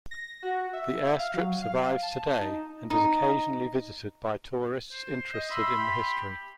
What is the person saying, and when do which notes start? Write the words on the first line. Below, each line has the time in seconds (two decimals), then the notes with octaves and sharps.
The airstrip survives today, and is occasionally visited by tourists interested in the history.
0.11 A#6
0.43 F#4
0.73 E5
1.19 F5
1.34 F#3
1.62 F5
2.03 A5
2.40 D#4
2.90 D#4
4.92 C5
5.34 D#5
5.50 E5 B5 C6
5.77 G4